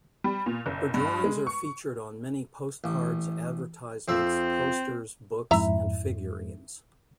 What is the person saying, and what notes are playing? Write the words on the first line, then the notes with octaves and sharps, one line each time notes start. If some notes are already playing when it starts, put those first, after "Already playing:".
Her drawings are featured on many postcards, advertisements, posters, books and figurines.
G3
A#2
F#1
G2
G#3
C#6
A1
F2 C4 E5
F2 G#2 E4 E5 A#5